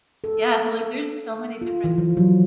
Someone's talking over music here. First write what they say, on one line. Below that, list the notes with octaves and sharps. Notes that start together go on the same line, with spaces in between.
Yeah so, like, there's so many different
A4
F4
E3
F3
F#3